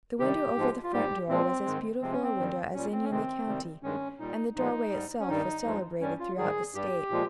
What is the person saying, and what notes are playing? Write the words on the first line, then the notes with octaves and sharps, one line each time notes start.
The window over the front door was as beautiful a window as any in the county, and the doorway itself was celebrated throughout the state.
C3 D#3 G3 G4
G#2 F3 G#3
F4
G#2 G3 G4
A#2 F3 G#3 C4
G#2 D#3 G#3
C3 F3 G#3 C4
C#4
C4
G2 D#3 G3
A#2 G3 C#4
C4
C#4
C3 D#3 G#3 C4
C3 D#3 G3
G2 D#3 G#3 C#4
A#2 G3 D#4
A#2 F3 G#3 D#4
G#2 G3
C#4
G2 D#3 G3 D#4
G2 F3 G#3
G2 G3 C#4
F4
G#2 D#3 G3 G#4
G2 G3 G4
A#2 F3 G#3